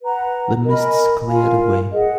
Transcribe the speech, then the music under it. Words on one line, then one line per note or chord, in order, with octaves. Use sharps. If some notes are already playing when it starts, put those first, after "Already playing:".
The mists cleared away.
B4 F#5 A#5
A#4 D#5 G#5 B5
F4 A#4 F5 G#5
G#4 D#5 F#5